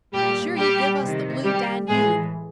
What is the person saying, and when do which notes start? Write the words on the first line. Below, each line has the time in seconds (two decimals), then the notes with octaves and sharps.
Be sure you give us the Blue Danube.'
0.13 A#2 G3 G4
0.57 G3 G4
1.01 C3 D#3
1.44 G3 G4
1.88 A2 E3 G#3 G#4